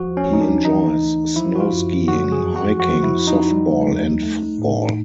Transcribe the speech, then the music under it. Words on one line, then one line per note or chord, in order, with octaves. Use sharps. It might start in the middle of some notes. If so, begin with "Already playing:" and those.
He enjoys snow skiing, hiking, softball and football.
Already playing: D#2 F3 F#4
C#4
D2 D#4
D4
E3 D#4
D2
F3 E4
F#4
F4
F#2
F#3 F#4
G#4
F2
F#4
F3 F#4
E4
F2
D#4
G3
D#2
A3
A2